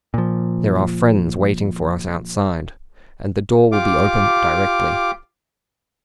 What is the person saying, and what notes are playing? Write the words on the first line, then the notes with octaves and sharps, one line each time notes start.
There are friends waiting for us outside, and the door will be open directly.
A#2 F3
F4 G4 D6